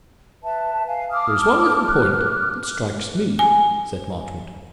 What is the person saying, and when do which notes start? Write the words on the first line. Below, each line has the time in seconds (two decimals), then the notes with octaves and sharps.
"There is one little point that strikes me," said Marchmont.
0.44 B4 E5 A5
0.87 F5 G#5
1.11 A5 D6 D#6 F6
1.85 D6 F6 F#6
3.39 G#5